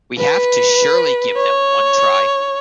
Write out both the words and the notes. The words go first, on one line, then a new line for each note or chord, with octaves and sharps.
We have to surely give them one try.
B4
C#5